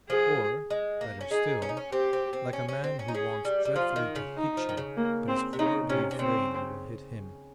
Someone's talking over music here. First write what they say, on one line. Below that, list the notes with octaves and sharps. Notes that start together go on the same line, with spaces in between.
Or, better still, like a man who wants dreadfully to hit you but is horribly afraid you will hit him.
F3 G#4
G#3
A#3
C#4
D#4 G#4
C#4
D#4
C#4
C4 G4
C4
C4
C#4
C#4
C4
C#4
D#4
C#4 G#4
G3
G3
F3 F4
D#3
C#3
D#4
F3
D#3
C#3
A#3
C4
C3
C#3 D#4
C3 C#4
C3
C#3 C4